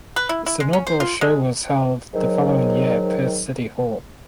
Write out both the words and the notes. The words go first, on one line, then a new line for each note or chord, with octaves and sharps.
Its inaugural show was held the following year at Perth City Hall.
B4
E4
E4
G#3
C#4
C5
F4
G#3
G#2 D#3 F#3